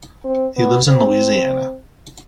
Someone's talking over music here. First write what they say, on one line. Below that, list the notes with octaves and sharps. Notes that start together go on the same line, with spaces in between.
He lives in Louisiana.
C4
B3
C4